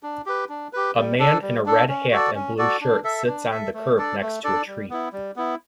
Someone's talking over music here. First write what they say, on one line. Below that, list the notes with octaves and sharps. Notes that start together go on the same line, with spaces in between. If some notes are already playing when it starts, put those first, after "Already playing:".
A man in a red hat and blue shirt sits on the curb next to a tree.
D4
G4 B4
D4
G4 B4
G3
D4 A4
G3
D4 A4
C#4
F#4 A4 D5
C#4
F#4 A4 D5
D4
A4 E5
D4
A4 E5
A3
D4 A4 D5
A3
D4 A4 D5
G3
B3 E4
G3
B3 E4